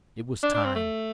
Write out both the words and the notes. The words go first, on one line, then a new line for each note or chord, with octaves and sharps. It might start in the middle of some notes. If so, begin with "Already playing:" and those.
It was time.
D4
D4
C4
A3